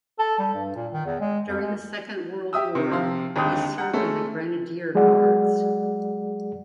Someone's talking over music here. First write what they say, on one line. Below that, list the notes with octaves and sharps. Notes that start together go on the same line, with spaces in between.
During the Second World War he served in the Grenadier Guards.
A4
G3
G2
A#2
D#3
E2
G#3
F2
G#3
G4 E5 D#6 E6
C3 D#3
C3 F3 G4 F5 C6
G#1 D#2 D3 G4 G5 D#6
F#5 A#5
G#3 A3 C#4 A4
F#3 G#3 G#4 D5 F#5